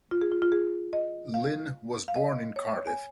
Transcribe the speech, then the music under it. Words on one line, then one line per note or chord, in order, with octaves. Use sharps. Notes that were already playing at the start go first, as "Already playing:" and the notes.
Lyn was born in Cardiff.
F4
G#4
F4
F4
G#4
D#5
F5
F5
D#5
C#5
C#5
C#5
G#5